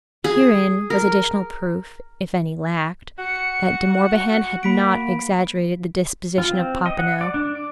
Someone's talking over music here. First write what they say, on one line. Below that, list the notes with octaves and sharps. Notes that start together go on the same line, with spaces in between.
Herein was additional proof, if any lacked, that De Morbihan had not exaggerated the disposition of Popinot.
G#4
A#4
F#4 C#7
A#3 B5 B6 D7
F4
C4
D#5
F#5
D5
D4
D5